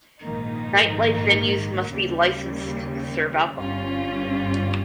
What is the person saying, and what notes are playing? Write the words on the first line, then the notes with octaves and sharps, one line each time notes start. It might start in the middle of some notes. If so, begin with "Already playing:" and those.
Nightlife venues must be licensed to serve alcohol.
A#1 G#2 D#3 A#3 D#4
D#2 C#3 G3
G1 G2 G3 C#4 F4